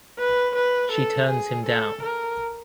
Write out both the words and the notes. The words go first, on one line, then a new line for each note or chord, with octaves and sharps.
She turns him down.
B4
B4
A4
G#4
A4
A#4